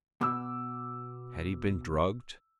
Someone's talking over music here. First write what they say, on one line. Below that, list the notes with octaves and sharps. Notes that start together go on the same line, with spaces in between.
Had he been drugged?
B2 D6 E6